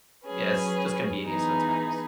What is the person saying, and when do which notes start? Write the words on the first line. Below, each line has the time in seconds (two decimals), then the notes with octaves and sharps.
yeah, it's just convenient sometimes.
0.25 F#3 C#4 G#4 B4
1.25 E3 B3 D#4 G#4 B4